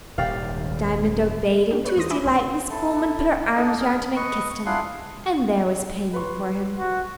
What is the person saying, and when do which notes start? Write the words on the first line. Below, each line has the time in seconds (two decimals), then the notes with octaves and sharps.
Diamond obeyed, and to his delight Miss Coleman put her arms round him and kissed him, and there was payment for him!
0.18 D#1 D#2 G#2 G4 D5 F5
1.71 A#3 C#4 D4 G4
1.85 B4 C#5 C#6 F#6
1.97 E2 A3 C5 D#6 A#6
2.10 E5 G#5 B5 D6 D#6
2.25 B1 G#2 B4
2.69 E4 A4
3.55 D4 D#4 A4 D#5
3.80 G#4 A#4
4.16 B4 D#5 C#6
4.66 D4 E4 F4 G#4 F#5 C6
6.13 B4 C6 C#6
6.79 F#4